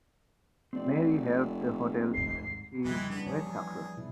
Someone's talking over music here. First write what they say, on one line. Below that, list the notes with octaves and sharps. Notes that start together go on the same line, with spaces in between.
Mary helped the hotel achieve great success.
F1 C4 D5
D#2 G#2 C7
F2 C#3 E3 F3 G3 G#3
B3 C#4 D4
E3 F3 G3 A#3 D4 G#4 C#5
B2 E4